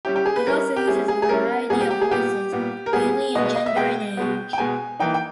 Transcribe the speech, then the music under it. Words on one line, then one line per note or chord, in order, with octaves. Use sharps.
It also uses a variety of voices, mainly in gender and age.
G3 C#4 E4 G4
G4
G#4
B4
G3 C#4 E4 A#4
G4
G3 C#4 E4 G#4
G#4
G#4
G3 C#4 E4 A#4
A#2 G3 B3 G#4
G4
G4
G#4
A#2 G3 B3 G4
A#2 G3 B3
A#4
A#2 G3 B3 G#4
B2 G#3 B3 D#5
D#5
D#5
E5
B2 G#3 B3 G5
B2 G#3 B3
G5
B2 G#3 B3 G#5
E3 A#3 D#4 G5
G5